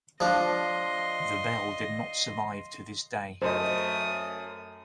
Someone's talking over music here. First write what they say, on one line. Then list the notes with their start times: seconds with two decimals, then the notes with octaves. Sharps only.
The bell did not survive to this day.
0.20 F3 D4 D#5 C6
3.42 F#2 A3 C5 D#5 D#6